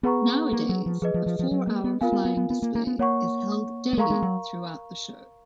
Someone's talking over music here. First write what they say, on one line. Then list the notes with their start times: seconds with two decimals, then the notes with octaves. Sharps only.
Nowadays, a four-hour flying display is held daily throughout the show.
0.03 B3 G#4 B4 F#5 A#5 C#6
0.53 A#3
0.69 F#3
0.86 F3
1.02 F3 G#4 B4 D#5
1.14 F3
1.26 F3
1.39 F3
1.51 F#3
1.67 A#3
1.84 B3
2.01 B3 F4 A#4 F5 G#5
2.12 B3
2.25 B3
2.37 B3
2.50 B3
2.62 A#3
2.75 A#3
2.87 B3
2.99 A#3 C#5 F#5 C#6
3.93 A#3
3.98 G#3 A#4 F5 A#5 C#6
4.10 G#3
4.22 F#3